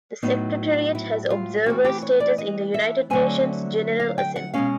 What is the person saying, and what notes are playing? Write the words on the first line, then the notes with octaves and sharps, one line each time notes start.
The Secretariat has observer status in the United Nations General Assembly.
A2 F#3 B3 D#4
E4
F4
E3 A3 C4 F#4
G4
C#5
D5
D#5
E5
D3 F#3 A3 C4 G#5
F5
G5
F#5
B2 G#3 C#4 F5